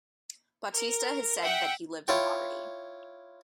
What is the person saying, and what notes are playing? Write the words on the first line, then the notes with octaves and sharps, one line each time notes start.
Bautista has said that he lived in poverty.
A#4
E5 F#5 G5
E4 F4 C#5 G5